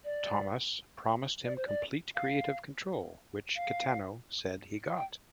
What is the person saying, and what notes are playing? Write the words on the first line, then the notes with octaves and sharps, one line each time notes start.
Thomas promised him complete creative control, which Kitano said he got.
D5
D5
C5
D5
F5
F5
G5